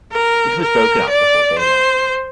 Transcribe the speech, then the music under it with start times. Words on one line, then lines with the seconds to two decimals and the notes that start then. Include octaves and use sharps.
It was broken up before daylight.
0.12 A#4
0.61 A#4
1.09 D5
1.58 C5